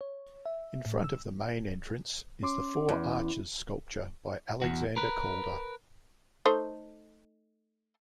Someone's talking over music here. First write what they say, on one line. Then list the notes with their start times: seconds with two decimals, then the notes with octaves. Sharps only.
In front of the main entrance is the "Four Arches" sculpture by Alexander Calder.
0.01 C#5
0.46 E5
0.86 A2
1.04 E6
2.43 C#4 C6 D6
2.89 E2
4.62 E2 F#4
4.97 A#4 B4
6.45 A3 D#4 C5